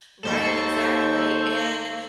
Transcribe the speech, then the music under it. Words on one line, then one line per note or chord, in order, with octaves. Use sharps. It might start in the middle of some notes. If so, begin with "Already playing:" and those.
Right, exactly, and,
D#2 A4 C5 C#6